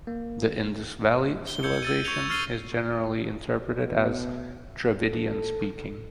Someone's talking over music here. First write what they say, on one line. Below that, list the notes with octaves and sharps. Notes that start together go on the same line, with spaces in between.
The Indus Valley Civilization is generally interpreted as Dravidian speaking.
A#3
G7
E6 G6 G#6 C#7
E6 A6 D#7
C#6 G6 G#6 C#7 F7
C#6 F6 A6 C7 D#7 G7
B2
A4